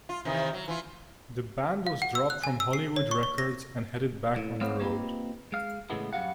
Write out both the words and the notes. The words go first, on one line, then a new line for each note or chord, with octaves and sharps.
The band was dropped from Hollywood Records and headed back on the road.
F4
C3 D#3 E3
F#3
E3 F4
F5
F#5
E6
F#6
G#5
E6
C7
C#5
C#6
C#6
A#6
A2
A3 B3 C4 C5 C#5 F5
A#3 C4 D#4 F4 G4 B4
G#3 F5
A2 C#3 E3 G#3 A3 B3
F#2 G3 F#4 F5 F#5